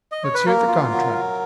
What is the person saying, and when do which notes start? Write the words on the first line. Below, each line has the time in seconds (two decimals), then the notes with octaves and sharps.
"Let's hear the contract!"
0.12 D#5
0.24 C#5
0.34 B4
0.46 A#3 A#4
0.68 F4
0.91 F#3
1.13 F#3